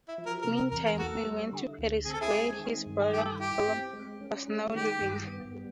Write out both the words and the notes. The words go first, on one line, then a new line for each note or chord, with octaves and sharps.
Meantime, he went to Paris where his brother Wilhelm was now living.
E4
F3
A#4
C3 A#4
A#4
E2 A#4
A#4
A#3 F#4 A4
G3
D3
D2
C4 G#4
A4
E4 G#4
G#3
D#3
G2
G4 A4
E4 G4
C4
G#3
C#4
G#3
D#3 G4
G2
B3
G3